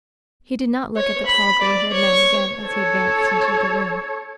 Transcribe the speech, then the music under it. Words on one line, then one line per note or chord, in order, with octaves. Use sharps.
He did not look at the tall, gray-haired man again as he advanced into the room.
C#5
B5
D5
C#5
A4 C#5